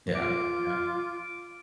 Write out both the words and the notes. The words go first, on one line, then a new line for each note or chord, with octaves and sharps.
Yeah, yeah.
F4 D6